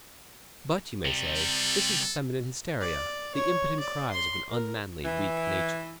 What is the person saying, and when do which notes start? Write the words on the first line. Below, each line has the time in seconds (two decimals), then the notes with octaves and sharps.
But, you may say, this is feminine hysteria, the impotent cries of an unmanly, weak nature.
1.05 C3 G3
1.36 A4
2.81 D5
3.35 C#5
3.80 D5
4.11 C6
4.50 A#4
5.05 E3